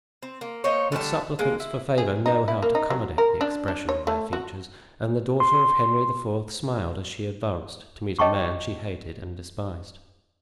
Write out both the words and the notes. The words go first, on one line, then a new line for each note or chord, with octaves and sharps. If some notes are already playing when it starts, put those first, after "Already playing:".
But supplicants for favor know how to accommodate the expression of their features, and the daughter of Henry IV. smiled as she advanced to meet a man she hated and despised.
C4
A#3
A#3 D#4 C5 C#5
D3 G3 A3 A5
G#3 A#3
E4
G#4
D#4
E4
A#3
D#4
F#3
A#4
D4
D4
C#5
A3
F#4
C6
C#5 D#5 G5 A5 C#6 D6